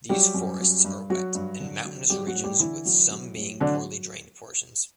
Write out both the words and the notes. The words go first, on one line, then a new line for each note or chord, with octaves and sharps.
These forests are wet and mountainous regions with some being poorly drained portions.
F#3 G3 G4
F#2
F#3
G2
F#3 F#4
G2
D3
F#3
F#3 G3 G4
F#3 F#4
A2
G3 G4
D3 E3 E4
F#3
F#3
A2
D3 F#3 D4